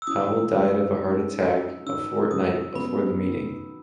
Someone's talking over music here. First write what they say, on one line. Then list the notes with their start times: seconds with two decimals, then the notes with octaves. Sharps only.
Powell died of a heart attack a fortnight before the meeting.
0.02 E6
0.07 E3 D#6
0.52 G#3
0.97 D#4
1.42 F#4
1.86 D#3 E6
2.31 F#3 D#6
2.75 B3 B5
3.20 D#3